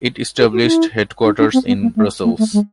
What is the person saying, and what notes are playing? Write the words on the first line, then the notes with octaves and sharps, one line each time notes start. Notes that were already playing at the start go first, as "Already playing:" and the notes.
It established headquarters in Brussels.
G#4
F#4
D#4
E4
D#4
D4
C4
B3
A#3
A3
A#3
A3
G#3